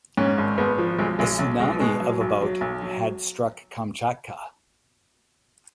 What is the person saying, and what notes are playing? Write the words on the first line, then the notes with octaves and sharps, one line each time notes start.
A tsunami of about had struck Kamchatka.
G#2 C#4
G#1
G#1 B3
F3
B1 G#3
B1 G#3
B1 F#3
B2 G#3
B2 G#3
F#3
B1
F#3
B1
F#3